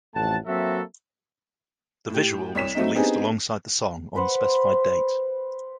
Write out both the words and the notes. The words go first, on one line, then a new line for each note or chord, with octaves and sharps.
The visual was released alongside the song on the specified date.
A1 F2 A3 F#5 A5
F#3 A#3 C4 F#4 A4 E5
A2 G4
C2 C#5 B6 E7
F#3 A3 C4 D#4
B3 C4 D4 D#4 G4 G#4
B4 C5 F#5